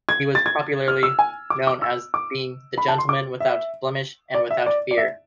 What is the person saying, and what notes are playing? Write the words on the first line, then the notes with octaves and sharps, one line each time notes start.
He was popularly known as being "The gentleman without blemish and without fear".
G#6
A6
G#6
F6
E6
G#5
D6
D6
E6
D6
B5
A5
C6
D6
E5
D5
E5
D5
D5
E5